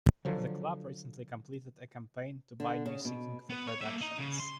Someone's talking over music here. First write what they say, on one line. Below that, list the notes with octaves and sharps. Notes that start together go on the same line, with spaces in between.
The club recently completed a campaign to buy new seating for productions.
D3 F3 F#3
D3
C#3
B2
B3
C#5
A#3 E5
D#5 A#5
C#3
C6